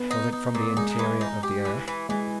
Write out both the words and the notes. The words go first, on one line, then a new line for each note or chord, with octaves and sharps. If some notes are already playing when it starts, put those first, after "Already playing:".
Was it from the interior of the earth?
Already playing: B3
D#4
D#4
A#2
G#3 D#4
E3
D#4
G4
E3
E3
E3 G#3